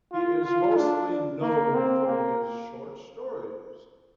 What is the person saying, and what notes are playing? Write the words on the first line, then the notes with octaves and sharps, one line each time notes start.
He is mostly known for his short stories.
F4
F4
D4
A#3
C4
A#3